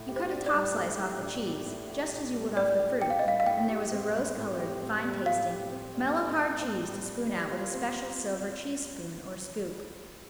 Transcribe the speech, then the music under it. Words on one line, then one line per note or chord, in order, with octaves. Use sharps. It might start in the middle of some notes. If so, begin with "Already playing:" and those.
You cut a top slice off the cheese, just as you would off the fruit, and there was a rose-colored, fine-tasting, mellow-hard cheese to spoon out with a special silver cheese spoon or scoop.
Already playing: A2
G4
C5
D4
D5
G3
A2
G4
D4
G3
A2
G4
D4
G3
A2 D5
G4
D4 G5
F5
D#5
G3 F5
F5
A2 G5
G4
C4
G3
A2
G4
C4
G3
A2 F5
G4
C4
G3
A2
G4
C4
G3
G3
G3
F4
C4